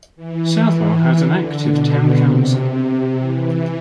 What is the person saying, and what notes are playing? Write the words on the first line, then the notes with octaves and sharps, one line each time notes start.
Southwell has an active Town Council.
E3
D3
B2
C3
E3